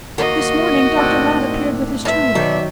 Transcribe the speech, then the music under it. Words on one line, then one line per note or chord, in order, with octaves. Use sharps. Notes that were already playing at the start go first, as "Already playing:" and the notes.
This morning Dr. Ladd appeared with his tube.
D#3 A#3 F#4 D#5
A2 C4 D4
G2 E5
B2 D#3 F#3 D5